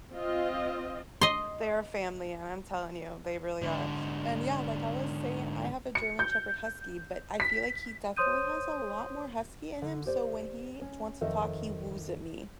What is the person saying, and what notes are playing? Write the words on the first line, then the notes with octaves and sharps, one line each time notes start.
They are family, and I'm telling you, they really are. And, yeah, like I was saying, I have a German shepherd husky, but I feel like he definitely has a lot more husky in him, so when he wants to talk, he woos at me.
C4 F4 D#5
D#5 C6
G#2 D3
C#7
G6
B6
C5 C#5 C6 D#6 G6 D#7
D3
G4 C5 D5
C#4
F2 D#3 A4 D#5 E5